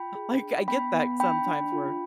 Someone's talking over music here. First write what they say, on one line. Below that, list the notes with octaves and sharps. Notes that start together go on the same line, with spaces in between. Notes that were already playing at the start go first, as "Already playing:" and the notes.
like, I get that sometimes where
Already playing: F4 G5 B5
G#4
D4
B3 G5 B5
B3
D4 G5 B5
D4
F4